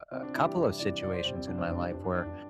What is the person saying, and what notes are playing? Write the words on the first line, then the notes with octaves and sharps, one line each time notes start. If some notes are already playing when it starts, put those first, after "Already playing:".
a a couple of situations in my life where
C2 C4
D4
C3 E3 G3 E4
G4
C2
C3 E3 G3 D5
C2 D5
C5
C3 G3 C5
C4
C2 D4
C4
C3 G3 D4
C4
G2 D4
D4
G3 D4
D4